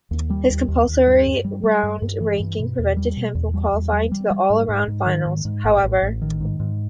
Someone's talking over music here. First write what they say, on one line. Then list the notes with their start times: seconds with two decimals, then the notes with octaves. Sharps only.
His compulsory round ranking prevented him from qualifying to the all-around finals, however.
0.11 D#2
0.30 G3
0.50 D#2
0.68 D#2
0.88 D#2
1.07 G2
1.26 G2
1.45 G3
1.63 G3
1.83 G2
2.02 G2
2.21 E3
2.40 G2
2.60 B2
2.79 E2
2.96 G3
3.17 B2
3.35 E2
3.54 G3
3.73 E2
3.92 G3
4.12 G3
4.31 G3
4.50 G#2
4.69 G#2
4.88 G#2
5.06 D#3
5.26 G#2
5.45 G#2
5.64 A1
5.83 A1
6.02 A1
6.22 D#3
6.40 G#2
6.60 G#2